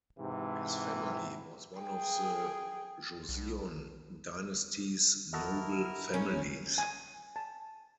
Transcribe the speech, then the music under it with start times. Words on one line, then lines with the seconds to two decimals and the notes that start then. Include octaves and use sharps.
His family was one of the Joseon Dynasty's noble families.
0.19 G#2 C3 E3
1.79 G#4 G5
3.29 B1
5.33 E4 F#4 A4 A#4 D#5 F6
6.14 C#4
6.78 G#5
7.36 A5